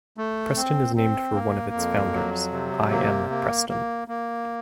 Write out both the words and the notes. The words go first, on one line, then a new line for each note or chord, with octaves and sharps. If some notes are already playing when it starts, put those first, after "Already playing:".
Preston is named for one of its founders, I. M. Preston.
A3
C4
C4
A#3
F2
F#3
C3
A#3
A#3
A#3
A#3